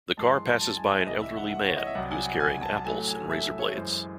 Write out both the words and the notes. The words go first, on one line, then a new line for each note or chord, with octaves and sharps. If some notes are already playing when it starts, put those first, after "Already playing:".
The car passes by an elderly man who is carrying apples and razor blades.
F#2 E3 G#3 A5
C6
A5
A5
G#5
E5
C2 C3 E3 D#5
E5
F#5
F#5
C#5
D#5
E5
C2 C3 F#3 F#5
G#5
F#5
G#5
G#5
A5
A2 F#3 A3 G#5
G#5
E5
E5
C#5
F#2 E3 G#3 C5